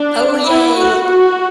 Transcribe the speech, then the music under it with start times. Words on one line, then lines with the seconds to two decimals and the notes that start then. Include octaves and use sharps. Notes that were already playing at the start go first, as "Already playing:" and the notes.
Oh, yay.
Already playing: D4
0.48 E4
0.77 F#4
1.06 F#4